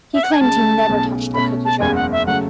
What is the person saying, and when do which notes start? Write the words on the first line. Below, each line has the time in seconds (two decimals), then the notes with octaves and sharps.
He claimed he never touched the cookie jar.
0.14 E5
0.23 F#5
0.32 G#5
0.40 C#2 C#3 G#3 C#4 A5
0.87 B1 B2 A3 C#4 G#4
1.34 B2 A3 C#4 B5
1.65 A5
1.80 F#1 E2 C#3 G#3 G#5
1.95 F#5
2.12 E5
2.27 C#3 F#3 A3 F#5